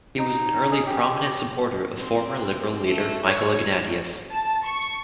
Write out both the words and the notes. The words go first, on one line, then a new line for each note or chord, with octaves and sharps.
He was an early prominent supporter of former Liberal leader Michael Ignatieff.
D#4
G#4
G4
C4
A3
C#5
A5
C#6